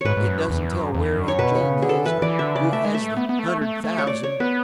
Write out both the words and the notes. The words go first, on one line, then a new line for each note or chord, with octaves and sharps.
It doesn't tell where Aunt Jane is, or who has the hundred thousand.
G#2 B4 C#5
G#2
F#2
E2
F#2
E2
F#2
C#5
B2 B4
C#5
C#3
D3 G#4
A4
E3 B4
E3 D5
D3 E5
C#3 D5
A3 E5
G#3
A3 E5
B3
B3
A3
A3
A3
C#5
D5
C#5
B3 B4